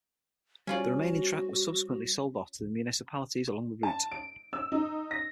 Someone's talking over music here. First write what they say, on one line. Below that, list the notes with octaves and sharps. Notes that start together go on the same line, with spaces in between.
The remaining track was subsequently sold off to the municipalities along the route.
G3 C#4 F4 F#4 C5 D5
A5
D7
E6
D#4
A#6